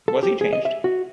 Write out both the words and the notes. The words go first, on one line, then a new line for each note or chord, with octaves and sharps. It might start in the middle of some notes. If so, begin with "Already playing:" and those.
Was he changed?
A4
G4
G#4
D#5
E5
F#4